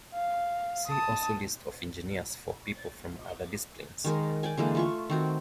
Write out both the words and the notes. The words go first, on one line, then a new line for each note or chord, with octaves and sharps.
See also List of engineers for people from other disciplines.
F5
A5 D#6
D#3 G#3 A#4
D5 G5 G#5
D3 E3 G#3 A#3
A3 F4 C#6
D#3 C4 F#4